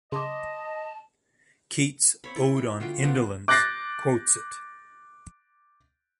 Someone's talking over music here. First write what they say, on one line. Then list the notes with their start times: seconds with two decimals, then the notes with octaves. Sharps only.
Keats' "Ode on Indolence" quotes it.
0.12 C#3 D#5 A5 C6 D6
2.24 C4 C#5 B5
2.36 E4 D5
2.56 G5
2.80 D3 F4 F#4 G5
3.03 D3 B3 C4 D4
3.48 D6 F#6 G6 A6 A#6 C7